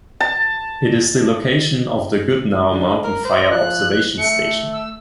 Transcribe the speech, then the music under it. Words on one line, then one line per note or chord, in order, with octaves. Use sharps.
It is the location of the Goodnow Mountain Fire Observation Station.
A5
D3
A#4
C5
F3 F#6
A3 C#7
E6